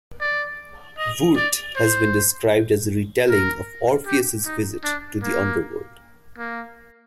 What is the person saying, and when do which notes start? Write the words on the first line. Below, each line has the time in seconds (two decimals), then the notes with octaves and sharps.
"Vurt" has been described as a retelling of Orpheus' visit to the Underworld.
0.21 D5
0.98 D#5
1.36 D5
1.76 C5
3.29 A#4
4.06 G4
4.45 D#4
4.84 D4
5.22 A#3
6.38 A#3